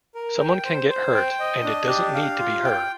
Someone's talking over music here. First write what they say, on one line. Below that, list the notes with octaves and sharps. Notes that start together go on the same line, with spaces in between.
Someone can get hurt and it doesn’t need to be her.
A#4
G5
C5
C5
G5
D#5
D4
G4
F5
F4
G5